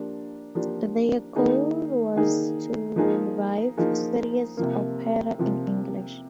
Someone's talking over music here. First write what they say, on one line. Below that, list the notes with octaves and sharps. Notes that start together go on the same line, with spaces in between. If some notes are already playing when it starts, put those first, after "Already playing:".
Their goal was to revive serious opera in English.
Already playing: F3 A#3 D4 G4
F3 A#3 D4 G4
D#3 A#3 D#4 G#4
D#3 A#3 D#4 G#4
F3 A#3 D#4 G#4
F3 A#3 D#4 G#4
C3 F3 A#3
C3 F3 A#3